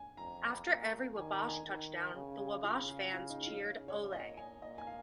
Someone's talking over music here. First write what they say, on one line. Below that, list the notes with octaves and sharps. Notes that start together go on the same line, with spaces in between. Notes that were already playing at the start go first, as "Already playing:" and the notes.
After every Wabash touchdown, the Wabash fans cheered Ole!
Already playing: G#5
F2 A#5
A#2
D#3 G#5
A#5
G#5
D#3
C#3
C#3 F4
G#4
F4
D#4
F4
C#3
C#5
A#2 D#5
G#5
A#2 D#5
G#5
F5